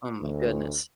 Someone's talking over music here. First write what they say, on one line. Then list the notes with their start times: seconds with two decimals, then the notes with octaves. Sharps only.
Oh my goodness.
0.22 D2